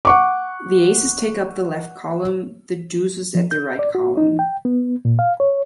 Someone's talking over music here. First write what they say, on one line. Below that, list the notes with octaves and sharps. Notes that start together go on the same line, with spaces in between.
The Aces take up the left column, the deuces at the right column.
F#5 C#6 D6
F3
G6
D5
F#4
D#4
G5
B3
A#2
F5
C#5